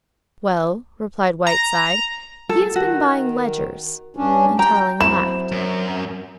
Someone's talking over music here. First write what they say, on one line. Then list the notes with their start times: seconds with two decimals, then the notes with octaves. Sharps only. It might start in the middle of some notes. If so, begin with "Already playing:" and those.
"Well," replied Whiteside, "he has been buying ledgers," and Tarling laughed.
1.47 A#5
2.49 A4
2.76 D#3 F#4
4.17 G2 C#4 D4
4.59 G5 A#5
5.00 F#3 C4 E4 E7
5.52 F#2